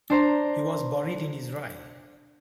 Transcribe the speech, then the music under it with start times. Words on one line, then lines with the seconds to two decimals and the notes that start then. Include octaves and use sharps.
He was buried in Israel.
0.10 D4 C5 A#5